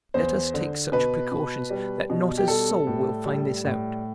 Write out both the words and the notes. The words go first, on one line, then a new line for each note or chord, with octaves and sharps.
Let us take such precautions that not a soul will find this out.
E2 C5
D3
B2 B4
B2
G3
B2
G4
G3 A4
A2
G3
A2